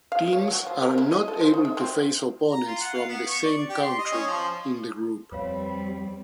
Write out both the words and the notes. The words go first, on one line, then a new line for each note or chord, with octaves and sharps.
Teams are not able to face opponents from the same country in the group.
F5
C#5
F#3
F3
A#4
E4
D#5
A4
C5
D#4
E5
C4
A#5
F4
F#5
F5
B3
C#6
D5
G4
C6
D#5
C#4
F3
F2 G3 C4 B4 C#5 F5 B5